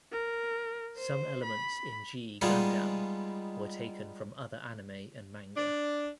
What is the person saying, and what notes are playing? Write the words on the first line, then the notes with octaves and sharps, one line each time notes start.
Some elements in "G Gundam" were taken from other anime and manga.
A#4
C5
B5
G3 G#3 B3 D#4 F4 G#4
D4